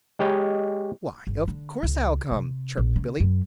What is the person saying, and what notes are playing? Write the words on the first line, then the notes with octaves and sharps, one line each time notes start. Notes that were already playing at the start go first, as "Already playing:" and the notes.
"Why, of course I'll come," chirped Billy.
G#3 G4 C#5 D#5
G1
D3
C#2
C3
A#1
C#3
F#2